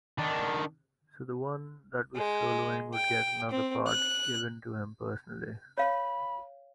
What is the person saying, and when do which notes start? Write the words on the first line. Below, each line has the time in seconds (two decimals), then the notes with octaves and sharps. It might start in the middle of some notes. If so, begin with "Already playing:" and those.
So the one that was soloing would get another part given to him personally.
0.18 D#3 D4
2.16 G#3
2.94 G5
3.51 C4
3.87 F#6
5.78 C#5 F5 B5